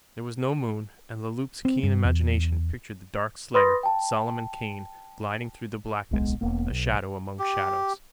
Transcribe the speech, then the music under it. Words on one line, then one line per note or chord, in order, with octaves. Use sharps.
There was no moon, and Le Loup's keen imagination pictured the dark slayer, Solomon Kane, gliding through the blackness, a shadow among shadows.
C4
G2
E2
B4 B5 C6 D#6 A6 A#6
G5 A5
D1 B1 G#3 B3
E1 A#3 B3
B1
G4